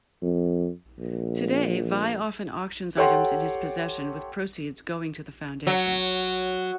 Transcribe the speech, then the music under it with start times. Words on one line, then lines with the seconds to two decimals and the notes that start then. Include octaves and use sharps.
Today, Vai often auctions items in his possession with proceeds going to the foundation.
0.22 F2
0.99 A#1
2.97 G4 A4 C#5 F#5 G5 C6
5.67 F#3